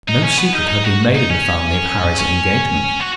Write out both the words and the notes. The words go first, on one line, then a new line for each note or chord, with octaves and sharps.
No secret had been made in the family of Harry's engagement.
D#4
C#4
B3
D#4
D#4
F#4
D#4
C#4
C#4
F#4